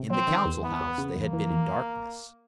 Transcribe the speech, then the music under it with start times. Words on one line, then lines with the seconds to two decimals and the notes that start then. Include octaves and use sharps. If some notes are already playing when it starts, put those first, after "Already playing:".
In the Council House they had been in darkness.
Already playing: C3
0.10 F#3 C4
0.27 D#3
0.45 E2
0.62 E3 B3
0.80 E2
0.98 C#3
1.16 E2 A#3
1.33 E3
1.50 E2